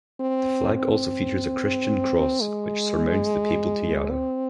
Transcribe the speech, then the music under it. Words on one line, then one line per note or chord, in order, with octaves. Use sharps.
The flag also features a Christian cross, which surmounts the Papal Tiara.
C4
C4
G#3
C4